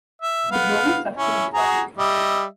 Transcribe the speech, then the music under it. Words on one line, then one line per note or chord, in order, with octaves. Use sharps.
The global structure of the document.
E5
B3 F5
C#4 E4
F#4 G#4 A#5
G3 D#5 E5